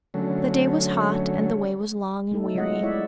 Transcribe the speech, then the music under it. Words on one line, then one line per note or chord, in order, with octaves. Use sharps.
The day was hot, and the way was long and weary.
D3 F#3 A3 C#4
A3 D#4 A4
F#3 G#3 B3 F4 D#5 F#5
G#3 E4 C#5 D5 E5 F#5